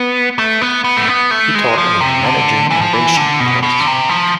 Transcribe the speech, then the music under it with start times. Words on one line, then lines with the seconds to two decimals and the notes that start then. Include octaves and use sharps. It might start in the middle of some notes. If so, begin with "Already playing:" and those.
He taught a "Managing Innovation" course.
Already playing: B3
0.39 A3
0.61 B3
0.84 B3
0.97 A3
1.08 B3
1.31 A3
1.55 G#3
1.78 F3
2.01 C3
2.24 D3
2.70 E3
2.81 F3
2.93 E3
3.17 D3
3.40 B2
3.63 B2
3.80 D3
3.87 C3
4.10 F3